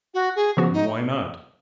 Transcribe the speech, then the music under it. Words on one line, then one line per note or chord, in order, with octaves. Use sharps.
And why not?
F#4
G#4
C#3 F3 B3 F#4
D#4